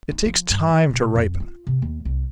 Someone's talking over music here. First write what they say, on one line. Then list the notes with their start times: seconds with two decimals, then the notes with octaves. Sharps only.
It takes time to ripen.
0.11 D#4
0.26 F3
0.50 G2
0.69 D#3
0.90 B2
1.16 F2
1.40 F4
1.67 C3
1.82 D#2
2.05 C2